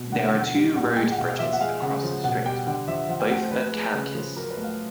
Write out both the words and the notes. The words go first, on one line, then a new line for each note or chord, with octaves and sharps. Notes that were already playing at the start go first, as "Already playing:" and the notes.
There are two road bridges across the strait, both at Chalcis.
Already playing: B2
D3 F#5
F#5
F3
F#5
G3 F5
A#2 F#5
G#3 G5
F#5
B2 F5
F5
F3 E5
F#5
G#3 F5
C#3 F#5
F3
B2 F#5
G3 G5
D3 F#5
F3 E5
F3 F#5
G5
A3 F#5
C5
F3 B4
G#3
C#3
F3
F#3 A#4
B4
A3
F5